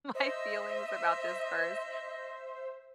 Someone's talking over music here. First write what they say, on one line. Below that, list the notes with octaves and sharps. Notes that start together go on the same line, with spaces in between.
my feelings about this first,"
C5 D#5 E5